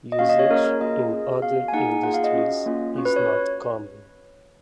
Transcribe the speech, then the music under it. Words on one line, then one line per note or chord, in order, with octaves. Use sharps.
Usage in other industries is not common.
D#5
A#3 C#4 F#4 F5
D#5
C#5
A#3 C#4 G#4 A#4
A#4
A#3 F4 G#4 D#5
C#4 G#4
B3 F#4 F5
G#5
A#3 D#4 G#4 F#5
A#3 F4 G#4 F#5
F5
D#5
C#4 F#4
A#3 C#4 F4
C#4 F#4
B4
C#5